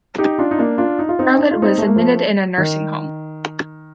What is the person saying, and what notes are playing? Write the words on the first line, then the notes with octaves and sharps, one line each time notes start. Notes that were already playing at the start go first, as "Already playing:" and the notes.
Charlotte was admitted in a nursing home.
D#4 G4
D4 F4
D#4
A#3 D4
D4 F4
D#4
F4
C4 D#4
D#4
F4
C4 D#4
A3
A#3
F3 A3
D#3